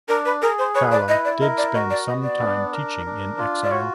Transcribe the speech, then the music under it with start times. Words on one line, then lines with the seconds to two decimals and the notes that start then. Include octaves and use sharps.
Falla did spend some time teaching in exile.
0.08 D4 A#4
0.25 B4
0.42 G#4 A#4
0.59 C5
0.75 B4 C#5
0.91 D5
1.08 E4 D#5
1.25 D5
1.41 A#4 D#5
1.57 D5
1.74 F#4 D#5
1.90 D5
2.06 B3 D#5
2.23 D5
2.40 D4
2.72 A#4
3.06 D4
3.38 F4
3.63 D5
3.71 F#4 C#5